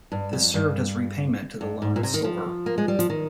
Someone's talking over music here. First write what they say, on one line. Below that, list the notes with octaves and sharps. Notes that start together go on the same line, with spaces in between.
This served as repayment to the loan of silver.
G2
F2
G2
G2
G#2
A#2
C3
D#3
F3
A#3
G#3
G3
F3
D#3